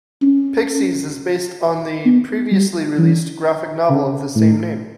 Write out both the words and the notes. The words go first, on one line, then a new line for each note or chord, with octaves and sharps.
"Pixies" is based on the previously released graphic novel of the same name.
C#4
B3
G3
E3
C#3
A2